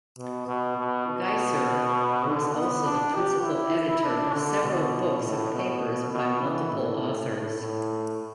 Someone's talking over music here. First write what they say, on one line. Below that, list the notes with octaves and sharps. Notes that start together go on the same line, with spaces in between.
Geisser was also the principal editor of several books of papers by multiple authors.
B2
B2
B2
B2
D3
B3
D4
G4
E4
D4
D3
B2
A2
B2
B2
E3
A2
A2
A2